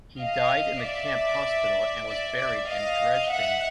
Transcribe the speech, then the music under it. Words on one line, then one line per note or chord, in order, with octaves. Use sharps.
He died in the camp hospital and was buried in Dresden.
D#5 F5
D5 E5
D5 E5
D5 E5
D#5 F5
E5 F#5